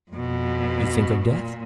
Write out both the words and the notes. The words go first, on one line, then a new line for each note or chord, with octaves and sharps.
"You think of death?"
F2 B2
A#2